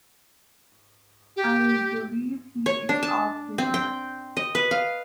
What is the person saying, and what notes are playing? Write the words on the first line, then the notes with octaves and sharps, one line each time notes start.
I believe he's off his nut.
G4
C#5
D4
A5
C4
G5
D#5
B4
F5